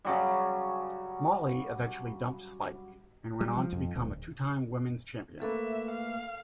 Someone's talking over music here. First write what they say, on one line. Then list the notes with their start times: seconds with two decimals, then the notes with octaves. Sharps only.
Molly eventually dumped Spike, and went on to become a two-time Women's champion.
0.04 C#3 F#3 G3
3.41 G3
3.57 F3
3.73 F2
3.96 D1
5.42 A3 A#3 A4 B4 E5
5.91 F5